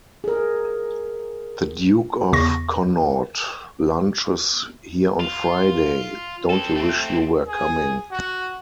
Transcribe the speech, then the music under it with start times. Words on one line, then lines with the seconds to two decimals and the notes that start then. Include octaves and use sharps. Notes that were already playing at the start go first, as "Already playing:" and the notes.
The Duke of Connaught lunches here on Friday: don't you wish you were coming!
0.24 G#4 A#4
2.32 E2 C#3 C#6 A#6
5.21 F4
6.50 C4 A4
6.76 A3 C4
7.47 G#4
8.11 F#4